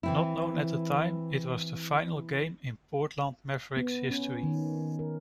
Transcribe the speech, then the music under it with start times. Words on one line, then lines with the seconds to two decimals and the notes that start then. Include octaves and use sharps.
Not known at the time, it was the final game in Portland Mavericks' history.
0.03 E3 C4 E4
3.77 B3
4.10 C#4
4.43 D#3
4.99 A#4